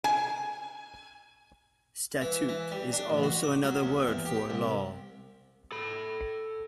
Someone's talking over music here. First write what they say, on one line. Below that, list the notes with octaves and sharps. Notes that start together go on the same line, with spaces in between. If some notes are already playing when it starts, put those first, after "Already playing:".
Statute is also another word for law.
G#5
E3
E3
G3
D4
A1
F#4
D6
F#3
D#2
E2
G4
C2
A4 B5